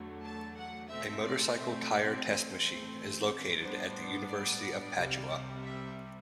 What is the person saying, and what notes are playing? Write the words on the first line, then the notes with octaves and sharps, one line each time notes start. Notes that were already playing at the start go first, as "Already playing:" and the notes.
A motorcycle tire test machine is located at the University of Padua.
Already playing: E2 D3 F#3 A3
A5
F#5
B2 A3 C4 E5
D5
E5
D5
A2 E3 A3 C4 C5
A2 G3 B3 D4 C5
D5
C2 C3 G3
E5